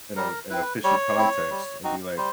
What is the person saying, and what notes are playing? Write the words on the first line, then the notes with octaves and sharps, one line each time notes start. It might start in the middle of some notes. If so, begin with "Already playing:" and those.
in a in a fishy context and be, like,
G3 A#4
C4 E4 B4
G3 C#5
C4 E4
G3
C4 D#4 F#4
G3 C5